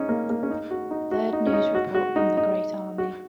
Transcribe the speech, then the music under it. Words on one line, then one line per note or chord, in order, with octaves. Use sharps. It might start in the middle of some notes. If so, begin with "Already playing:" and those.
Third news report from the great army.
Already playing: C#4 D#4
A#3
A#3
C#4
D#4
F#4
D#4
F#4
D#4
C#4
D#4
F#4
F#4
D#4
D#4
F#4